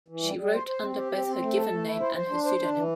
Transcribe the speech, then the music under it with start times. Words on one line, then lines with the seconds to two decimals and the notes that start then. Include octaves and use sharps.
She wrote under both her given name and her pseudonym.
0.08 E3
0.23 G3
0.37 G3
0.53 C5
0.67 C5
0.82 C4
0.97 G4
1.12 C4
1.27 C4
1.41 A3
1.56 A4
1.71 A3
1.86 E4
2.00 C5
2.15 C5
2.30 D4
2.45 C5
2.60 D4
2.74 E3